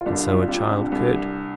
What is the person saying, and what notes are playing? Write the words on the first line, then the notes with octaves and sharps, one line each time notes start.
And so a child could.
F4
C2 D4
F4
C3 F4
D4
C2